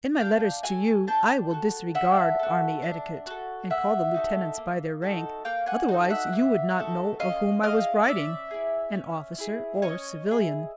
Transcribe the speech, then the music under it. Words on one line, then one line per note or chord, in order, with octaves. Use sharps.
In my letters to you I will disregard army etiquette, and call the lieutenants by their rank, otherwise you would not know of whom I was writing--an officer or civilian.
D4 F5 G5
F#4 A4 F#5 G#5
D4 G5 A5
F#4 A4
D4 E5 F#5
F#4 A4
D4
F#4 A4
A#3 E5 F#5
D#4 F#4 A4
A#3
D#4 F#4 A4
A#3 F5 G5
F#5 G#5
D#4 F#4 A4
E5 F#5
A#3
D#4 F#4 A4
C#4 D#5 F5
E4 G#4 D#5 F5
C#4 D5 E5
E4 G#4
C#4
E4 G#4
C#4 C#5 D#5
E4 G#4